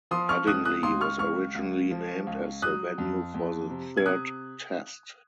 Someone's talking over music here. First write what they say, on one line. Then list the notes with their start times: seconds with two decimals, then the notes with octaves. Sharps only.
Headingley was originally named as the venue for the third Test.
0.11 F3 C6 D#6
0.29 C#6 F6
0.47 C#2 D#6 F#6
0.65 D#6 F#6
0.83 C#2 C6 D#6
1.01 C#6 F6
1.19 C#2 C#6 F6
1.55 C#2
1.91 F3
2.27 C#2
2.62 F#3 D#6 F#6
2.98 F2
3.34 F2
3.70 C3
3.97 G#6
4.06 C3 D#6 F#6